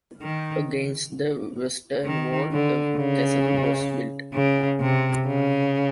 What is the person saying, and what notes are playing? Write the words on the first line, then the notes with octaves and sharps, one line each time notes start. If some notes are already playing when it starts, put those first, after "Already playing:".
Against the western wall, a castle was built.
D#3
D#3
D3
C#3
C#3
C3
C#3